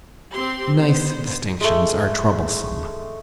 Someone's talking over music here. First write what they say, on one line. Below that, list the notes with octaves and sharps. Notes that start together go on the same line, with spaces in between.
Nice distinctions are troublesome.
C4 G4 C6
B3 C5
G#3 A3